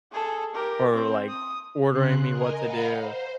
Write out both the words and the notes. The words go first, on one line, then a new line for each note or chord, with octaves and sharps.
or, like, ordering me what to do,
G#4 A4
G4 A#4
C4
D#6
C#3 C6 F#6
A#4 D#5 G#5
D#5 F5 F#5 A#5 B5
C5